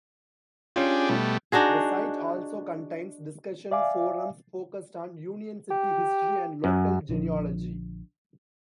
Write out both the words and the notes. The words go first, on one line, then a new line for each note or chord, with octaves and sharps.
The site also contains discussion forums focused on Union City history and local genealogy.
C#4 D4 F4 G4 G#4
B2 G3 A3
D4 D#4 F#4 G#4
D5 E5 F5 G#5 D6
G4
F#2
A#1 D3 F3